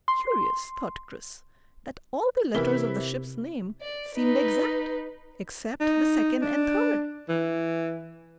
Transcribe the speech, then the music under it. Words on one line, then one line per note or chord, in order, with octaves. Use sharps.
Curious, thought Chris, that all the letters of the ship's name seemed exact except the second and third.
C6
C3 E3 E4 A#4 G7
D5
D#4 B4
D#4
D4
E3